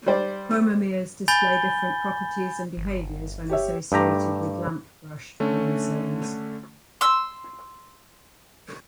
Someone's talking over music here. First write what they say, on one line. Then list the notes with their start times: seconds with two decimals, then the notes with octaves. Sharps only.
Chromomeres display different properties and behaviours when associated with lampbrush chromosomes.
0.06 G3 C5 D5
1.28 G#5 B5 G6 A6 G7
2.77 G1
3.49 G4 C#5 E5
3.92 G2 A3 G4 A#5
5.40 D3 A3 C#4
7.01 C6 E6